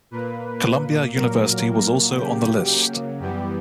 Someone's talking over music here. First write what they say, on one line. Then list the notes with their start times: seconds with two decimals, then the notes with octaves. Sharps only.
Columbia University was also on the list.
0.11 A#2 A#3 B4
1.14 A#2 F#3 A#3 A#4
2.16 C#3 F#3 A#3 G4
3.20 F#2 E3 G3 B3 G4